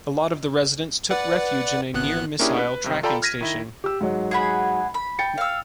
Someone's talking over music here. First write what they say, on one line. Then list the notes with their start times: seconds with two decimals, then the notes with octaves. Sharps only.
A lot of the residents took refuge in a near missile tracking station.
1.11 B4 D5 F#5
1.94 G#1 B3 F#6
2.39 A#3 C#4 D4 E4 G4 G#4
2.59 B4
2.84 G2 C3 D#3
3.03 F4 A4 D5 G5 A#5 B5
3.22 F6 G#6 A#6 B6 D#7
3.41 D#3 E4
3.84 G4 E6
4.01 G#2 F#3
4.31 G#4 F#5 B5
4.94 B5
5.19 G5 A6 C#7
5.38 F5 E6